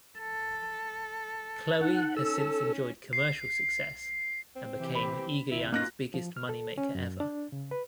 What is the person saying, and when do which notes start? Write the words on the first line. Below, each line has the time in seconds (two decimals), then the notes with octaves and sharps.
"Chloe" has since enjoyed commercial success and became Egoyan's biggest moneymaker ever.
0.19 A4
1.81 D#4 F#5
2.17 C#4 A4 E6
3.13 C7
4.56 C4
4.79 C3 E3 G4
4.95 B5
5.51 G#1 C3 E4
5.72 A#3 C#4 D#4 F4 F#4 F#6 A#6
6.14 F3
6.37 F6
6.49 A4
6.78 C#4
6.95 F#2
7.20 D4
7.52 C#3
7.71 B4